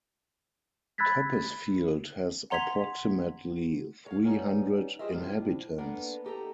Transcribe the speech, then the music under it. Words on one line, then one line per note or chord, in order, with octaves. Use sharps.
Toppesfield has approximately three-hundred inhabitants.
B5 E6 F#6 G#6 A6 B6
F#5 A#5 C6 G#6 B6 F7
C#5 F5
G3 B3 C#4 D#4
F4 G4 G#4 C5 D#5 E5
A2 C3 G3 D4 F4
A#3 B3 D4 A4
D#4 G4 A4 A#5